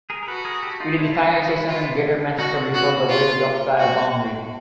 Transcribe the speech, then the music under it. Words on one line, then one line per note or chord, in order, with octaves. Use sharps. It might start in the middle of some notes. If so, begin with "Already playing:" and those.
It is the final station in Greater Manchester before the West Yorkshire boundary.
G#4 A#4
A#4
F#4 A4 B4
G#4 A#4
G4 A4
D#4 F4
D4 E4
C#4 D#4
D#4 F4
E4 F#4
D4 E4 F4
C#4 D#4 F#4
C4 D4
B3 C#4 F#4
A#3
F4
F#4